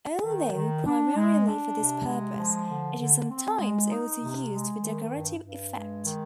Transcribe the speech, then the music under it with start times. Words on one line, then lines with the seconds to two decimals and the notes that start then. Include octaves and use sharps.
Although primarily for this purpose, it is sometimes also used for decorative effect.
0.24 D#3
0.55 D#3
0.86 D4
1.16 G#3
1.46 D4
1.77 C3
2.07 G#3
2.38 F3
2.68 D3
2.99 D3
3.29 C4
3.60 G#3
3.90 D#4
4.20 C3
4.51 G#3
4.81 D#3
5.12 G2
5.42 G2
5.73 G#3
6.03 D#3